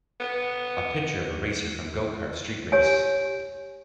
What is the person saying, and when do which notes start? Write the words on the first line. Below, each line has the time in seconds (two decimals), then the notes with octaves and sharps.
A picture of a racer from gokart street race.
0.20 B3
2.72 G4 C#5 G#5